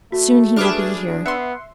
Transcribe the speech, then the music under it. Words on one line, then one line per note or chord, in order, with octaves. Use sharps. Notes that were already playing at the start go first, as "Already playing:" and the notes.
Soon he will be here.
A3 F#4
D4 G#4 B4 D6 F6
B3 E5 C6 F#6 C#7